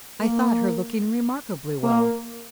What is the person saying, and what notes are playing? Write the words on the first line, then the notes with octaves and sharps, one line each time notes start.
'I thought her looking remarkably well.
A#3
A#3